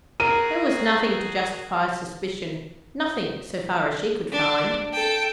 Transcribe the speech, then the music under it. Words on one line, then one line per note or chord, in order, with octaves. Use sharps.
There was nothing to justify suspicion, nothing, so far as she could find.
F#4 G#4 A#4 D#7
D4
A4 G5